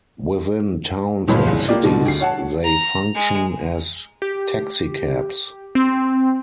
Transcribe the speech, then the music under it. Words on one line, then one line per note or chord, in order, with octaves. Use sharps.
Within towns and cities, they function as taxicabs.
G1 C#2 A#2 F#3 F4 B5
F#1 C2
A#3 F4 G4 D5
G#2 B2 D3 G3
D2 C7
C#5 F#5 A5
A#5
G#3
G4
C4